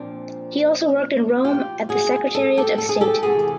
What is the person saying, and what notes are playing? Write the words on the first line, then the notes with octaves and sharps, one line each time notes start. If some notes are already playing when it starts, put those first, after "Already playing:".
He also worked in Rome at the Secretariat of State.
Already playing: A#2 F3 C4 D4
F4 G4
F#4 G#4
A4
G4 A4
A4
G#4
G4 A4
E2 C3 E3 F#4 G#4